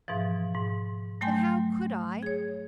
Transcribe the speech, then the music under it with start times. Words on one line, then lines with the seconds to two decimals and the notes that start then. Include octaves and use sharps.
But how could I?
0.08 G#2 B2 E3 F3
0.54 G#2
1.21 F#3 A3 G5 G#5 C6 G6
2.23 G#4 C#5